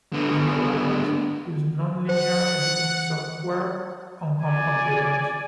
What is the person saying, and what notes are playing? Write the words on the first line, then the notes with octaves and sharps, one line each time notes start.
Videographers use non-linear editing software on home computers.
D3 B3
C5 F#5
D5 G#5